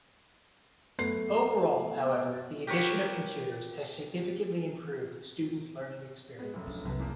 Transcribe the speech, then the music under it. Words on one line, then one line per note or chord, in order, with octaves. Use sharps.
Overall, however, the addition of computers has significantly improved the student's learning experience.
F#2 A3 B3 C7
G4 A#4 B4 C#5 F#5
G#3 B3
F1 F#2
F3 D4
F1 C2 F#2 B3 A5
E2 A#3